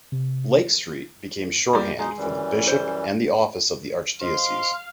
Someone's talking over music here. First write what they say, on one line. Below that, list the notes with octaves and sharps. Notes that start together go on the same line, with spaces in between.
"Lake Street" became shorthand for the Bishop and the office of the Archdiocese.
C3
G3 A#3
B2 G#3 D#4
F#2 E3 G3
C5
C5 D#5 F5 C6